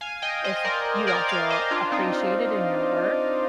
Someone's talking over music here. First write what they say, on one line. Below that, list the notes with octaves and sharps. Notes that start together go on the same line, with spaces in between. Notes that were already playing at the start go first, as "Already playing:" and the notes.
if you don't feel appreciated in your work,
F5 G#5
D#5 G5
C5 D#5
D#5
A#4 D5
A#4 D5
D5 F5
C5 D#5
D4 F4
C4 D#4